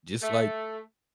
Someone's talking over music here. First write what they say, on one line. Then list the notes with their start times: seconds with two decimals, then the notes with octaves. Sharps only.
just, like,
0.22 A3